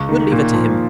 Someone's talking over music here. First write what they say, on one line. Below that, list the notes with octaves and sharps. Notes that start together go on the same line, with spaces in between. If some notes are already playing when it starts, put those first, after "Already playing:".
We'll leave it to him.
Already playing: C#2 C#6
D#3
A#2
F3